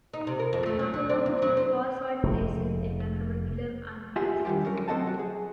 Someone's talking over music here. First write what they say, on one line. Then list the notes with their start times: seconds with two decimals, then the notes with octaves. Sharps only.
Tacurong to the far side places in their curriculums and places.
0.13 D#4
0.27 C3
0.39 A#4
0.53 F2
0.66 A3
0.79 F#3
0.94 F#3
1.09 C4
1.26 E2
1.42 F#3
1.57 C5
2.23 F1 G#3 A3
4.16 F4 G4 G#4 E5 F#5
4.45 D3 D#3 G3 F4 G4
4.66 F#3 C#4 A4 A#4
4.88 D2 C4 A4 D#5 F#5 A5
5.06 F#3 F#4
5.19 G#4